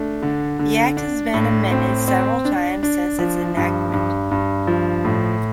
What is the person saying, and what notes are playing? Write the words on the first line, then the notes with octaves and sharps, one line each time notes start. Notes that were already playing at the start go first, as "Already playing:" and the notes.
The Act has been amended several times since its enactment.
Already playing: A3 D4
D3
D3
D4
A2
C4
C4
D4
D4
F3
G2
G2
G2
F3
A2